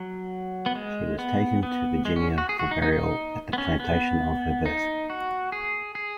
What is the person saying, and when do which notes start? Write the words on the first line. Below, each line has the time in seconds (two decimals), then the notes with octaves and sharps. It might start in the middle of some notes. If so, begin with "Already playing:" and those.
She was taken to Virginia for burial at the plantation of her birth.
Already playing: F#3
0.66 B3
0.75 G#3
1.19 B3
1.63 B3
2.05 G#3
2.16 C#4
2.38 F#4
2.49 G#4
2.59 F#4
2.71 D#4
2.82 D#4
2.93 D#4
3.53 B3
3.58 C#4
3.80 B3
4.66 D#4
5.10 F#4
5.52 G#4
5.95 G#4